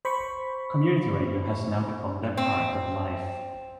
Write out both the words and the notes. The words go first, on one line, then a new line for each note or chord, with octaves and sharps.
Community Radio has now become their part of life.
C5 B5 C#6
C4